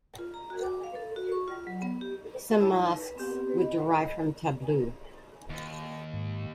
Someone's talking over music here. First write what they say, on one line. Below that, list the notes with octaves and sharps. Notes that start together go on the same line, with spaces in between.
Some masques would derive from tableau.
F4
A#5
F#4
D6
F5
A4
F#4
C#6
F4
F#3
B3
G4
G3 E4 C#5 A5 E6
D#4
B4
B3 C4 G4
D#5 B5
D#2
G#2